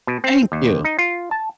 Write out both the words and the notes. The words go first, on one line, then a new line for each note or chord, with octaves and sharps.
Thank you.
B2
C4
D#2
D#4
F4
A5